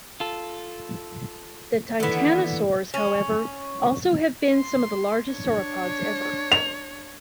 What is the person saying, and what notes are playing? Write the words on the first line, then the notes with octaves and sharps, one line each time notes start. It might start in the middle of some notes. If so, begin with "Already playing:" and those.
The titanosaurs, however, have also been some of the largest sauropods ever.
F4 A4
D#2 D3 E3 B3
C#4
C6
D4 C#5
F7